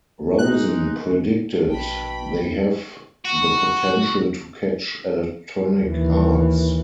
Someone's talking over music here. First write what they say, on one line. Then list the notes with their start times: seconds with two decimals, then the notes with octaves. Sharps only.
Rosen predicted "they have the potential to catch Electronic Arts".
0.38 G#3 D#4 F#6
1.69 A#1 B2 D4 G5 B5
3.25 F#4
5.81 D#2 E3